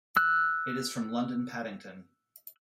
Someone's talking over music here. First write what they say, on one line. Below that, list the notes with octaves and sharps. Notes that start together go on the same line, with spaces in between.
It is from London Paddington.
E6 F#6